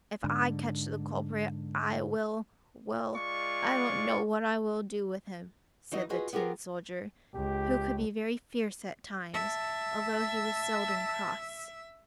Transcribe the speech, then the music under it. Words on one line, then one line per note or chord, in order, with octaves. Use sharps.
"If I catch the culprit, I will--well, I don't know what I will do with him!" said the tin soldier, who could be very fierce at times, although he was seldom cross.
G#2 D3
G#3 F4 D5 C#6
E3 D#4 F#4 D#5
F4 F#4 G#4 B4 D#5
B3 F4 G4 G#4 A#4
C#2 G4
E5 A5